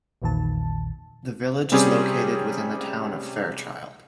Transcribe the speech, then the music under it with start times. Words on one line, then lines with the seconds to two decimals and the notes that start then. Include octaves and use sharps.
The village is located within the Town of Fairchild.
0.22 A#1 E2 A#2 D#3 A5
1.72 C3 G3 C4 C#4 G4 G#4